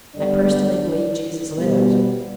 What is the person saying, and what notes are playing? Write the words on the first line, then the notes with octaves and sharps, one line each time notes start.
I personally believe Jesus lived.
G2 D3 G3 B3 D4 D5
B2 G3 B3